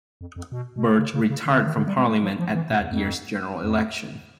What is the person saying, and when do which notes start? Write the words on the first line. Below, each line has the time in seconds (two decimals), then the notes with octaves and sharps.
Birch retired from Parliament at that year's general election.
0.21 F2
0.36 F2
0.52 B2
0.76 B2
0.83 C3
0.99 C#3
1.14 C#3
1.30 C#3
1.46 D3
1.56 D3
1.66 D#3
1.77 D3
1.87 G3
1.98 G#3
2.07 A3
2.23 F#3
2.39 F3
2.55 E3
2.70 A#2
2.81 E2
2.91 F2
3.64 F2